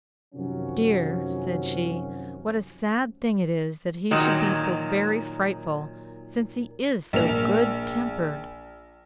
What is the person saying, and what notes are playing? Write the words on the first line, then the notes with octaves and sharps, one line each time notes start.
"Dear!" said she, "what a sad thing it is that he should be so very frightful, since he is so good-tempered!"
F#2 C3 D#3 F3 F#3 C#4
A#2 D#3 F#3
A#1 A#3 F7